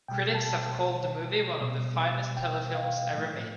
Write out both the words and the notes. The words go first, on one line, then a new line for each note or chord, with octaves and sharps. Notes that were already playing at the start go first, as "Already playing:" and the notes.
Critics have called the movie one of the finest telefilms ever made.
B2 G3 G5
A5
B2 G3
G5
F5
A2 F3 A3